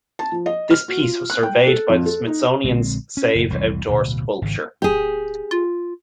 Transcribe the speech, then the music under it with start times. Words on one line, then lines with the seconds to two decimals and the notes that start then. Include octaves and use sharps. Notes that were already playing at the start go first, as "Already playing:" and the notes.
This piece was surveyed by the Smithsonian's Save Outdoor Sculpture!
0.19 A5
0.32 F3
0.46 D#5
0.71 F6
0.88 F#4
1.00 F4
1.30 F#6
1.43 G5
1.67 A4
1.89 F2
2.06 A4
2.27 D#4
2.64 A#1 D3 G#3 C4
3.17 C#4
3.35 F#1
3.49 F1 C2 D3 E3
3.88 D1 B2
4.42 G#1 C#3
4.82 D1 G4 G#4
5.51 F4